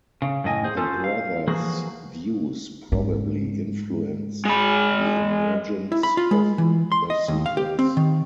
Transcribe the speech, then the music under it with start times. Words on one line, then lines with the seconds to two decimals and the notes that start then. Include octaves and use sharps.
The brothers' views probably influenced the emergence of the Seekers.
0.22 C#3
0.44 F#2 A2 D#5 G#5
0.64 G#4 C5
0.77 C#4 F4 A4 C5
1.04 F5
1.47 E3 F3 A#3 F#4 G#4
2.92 G#2
4.45 G#3 B5
5.92 E4
6.03 B5
6.17 F4
6.31 G#3
6.58 E3
6.92 C6
7.10 D#5
7.28 D#2
7.46 F5
7.57 G4
7.79 C4
7.97 D#3